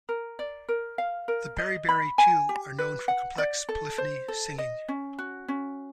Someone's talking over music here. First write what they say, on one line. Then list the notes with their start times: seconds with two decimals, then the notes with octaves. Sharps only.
The Beriberi too are known for complex polyphony singing.
0.09 A#4
0.39 D5
0.69 A#4
0.98 F5
1.28 A#4
1.58 D#5
1.89 B5
2.18 G#5
2.49 G4
2.79 B4
3.08 F#5
3.38 D5
3.69 A4
3.98 C5
4.28 A4
4.58 D#5
4.88 C#4
5.18 F#4
5.48 C#4